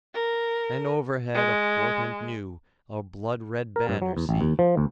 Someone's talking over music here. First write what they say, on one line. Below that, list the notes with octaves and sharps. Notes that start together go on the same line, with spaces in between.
And overhead a portent new, a blood-red banner see!
A#4
G#3
A#4
G2
F#3
E2
A1
D#2
F3
D2